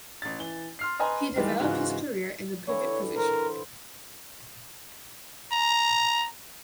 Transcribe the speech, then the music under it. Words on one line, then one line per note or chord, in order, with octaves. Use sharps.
He developed his career in the pivot position.
A1 A6
E3 G7
C6 F6 C7
B4 D#5 G#5 A#5 C6
D#3 E3 G3 G#3
G#2 C#3 E3 F4 F#4
D3 E3 C#5
A#4 C5
A#5